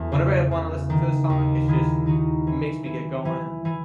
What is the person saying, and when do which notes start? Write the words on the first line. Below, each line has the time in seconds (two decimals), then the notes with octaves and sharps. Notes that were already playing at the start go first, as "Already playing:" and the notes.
whenever I wanna listen to a song, it just m makes me get going.
Already playing: E2 E3 F#4 A4
0.12 C#3
0.51 C#3
0.90 D#3
1.30 D#2
1.68 D#3 E4 G#4
2.06 D#3 D#4 F#4
2.47 E3
2.86 E3
3.25 E3
3.65 E3